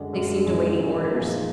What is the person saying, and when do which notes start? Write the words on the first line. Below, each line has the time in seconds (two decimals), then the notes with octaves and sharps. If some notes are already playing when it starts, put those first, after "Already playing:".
They seemed awaiting orders.
Already playing: F#2 D3 G#3 D4 F#4
0.13 F#2 D3 G#3 D4 F#4
0.46 F#2 D#3 G#3
0.79 F#2 D#3 G#3
1.11 A#2 F3 G#3 D#4